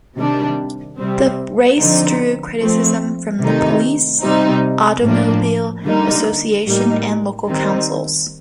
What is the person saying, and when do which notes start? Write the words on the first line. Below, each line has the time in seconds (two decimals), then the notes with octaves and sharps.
The race drew criticism from the Police, Automobile Association, and local Councils.
0.16 C3 D#3 G3 D4
0.97 C3 G3 C4
1.78 D3 F3 C4 D#4
2.60 F3 A3 C4
3.40 C3 D#3 A3 D#4
4.23 C3 G3 C4 D#4
5.03 A2 F3 A#3 D4
5.84 D3 G3 A#3 D#4
6.66 A2 G3 A#3 D#4
7.48 D#3 G3 C4 D#4